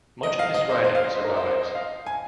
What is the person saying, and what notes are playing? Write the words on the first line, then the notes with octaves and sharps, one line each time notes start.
Much of his writing survives.
D#5
F5
D#5
C5
C5
F5
D#5
C5
A#4
C5
C5
D#5
F5
G#5